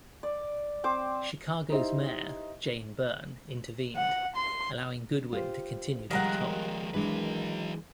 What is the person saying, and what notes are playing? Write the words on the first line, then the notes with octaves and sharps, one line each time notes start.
Chicago's Mayor, Jane Byrne, intervened, allowing Goodwin to continue to the top.
D5
C4 C5 D6
D#4 E4 G4 C5 D#5 E5
F#5
C6
F4 G4 C5
D#3 F3 G3 G#3 A#4 F#5
E3 F#3 G#3 D4 B4